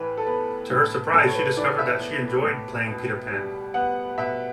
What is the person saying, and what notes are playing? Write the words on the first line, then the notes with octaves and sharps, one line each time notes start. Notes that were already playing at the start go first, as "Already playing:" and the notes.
To her surprise, she discovered that she enjoyed playing Peter Pan.
Already playing: A2 E3 B4
A4
B3 B4
A2
A2 A4
C#5
B4
E3 D5
E5
B3
A2
B2
G3
B3 F#5
B2 E5